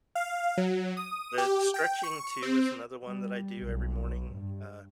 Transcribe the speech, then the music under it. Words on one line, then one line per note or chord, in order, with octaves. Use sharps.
Uh, stretching too is another one that I do every morning. Uh,
F5
F#3
D#6
G4
G5
C#6
C4
G3
B1
G2